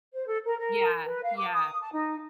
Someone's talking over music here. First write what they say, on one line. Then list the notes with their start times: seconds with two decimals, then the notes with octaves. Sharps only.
Yeah, yeah.
0.14 C5
0.26 A4
0.44 A#4
0.58 A#4
1.05 B4
1.23 F5
1.36 D6
1.52 D#6
1.80 A5
1.93 D#4